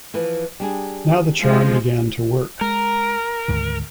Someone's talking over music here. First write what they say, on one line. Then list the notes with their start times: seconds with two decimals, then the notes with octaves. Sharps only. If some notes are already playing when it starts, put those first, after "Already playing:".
Now the charm began to work.
0.14 E3 F3 B4
0.60 G3 D4 G#4
1.41 F3 G#3 F4
2.61 G#3 A#4
3.48 D2 G#2 D#3